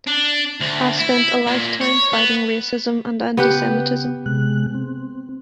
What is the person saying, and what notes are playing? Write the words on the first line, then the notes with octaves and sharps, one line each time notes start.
I've spent a lifetime fighting racism and anti-Semitism.
D4
D2
E4
A#2
C#5
B3
C#3 B3 G4 B4
C3 G#3 F#6
C4